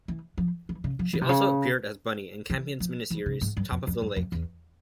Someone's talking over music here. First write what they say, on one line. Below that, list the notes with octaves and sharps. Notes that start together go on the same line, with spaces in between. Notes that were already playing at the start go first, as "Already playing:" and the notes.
She also appeared as Bunny, in Campion's miniseries "Top of the Lake".
E3
F3
E3
C#3
F3
E3
C3
C#3
E3
F3
E3
C#3
G#2
G2
F2
F2
G2
F2
E2